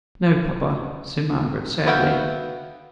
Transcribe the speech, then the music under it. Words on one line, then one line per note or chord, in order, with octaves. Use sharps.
'No, papa,' said Margaret, sadly.
B3 F#4 E5 F5 G5